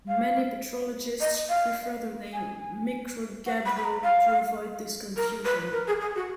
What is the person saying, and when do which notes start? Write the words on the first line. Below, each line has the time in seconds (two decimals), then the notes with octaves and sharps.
Many petrologists prefer the name "microgabbro" to avoid this confusion.
0.08 F5
1.20 D#5
1.49 F5
2.33 G#5
3.46 F#5
3.66 B5
3.76 B5
3.84 A#5
4.03 F5
5.16 A#4
5.45 B4
5.72 A#4
5.87 G#4
6.01 G#4
6.16 F#4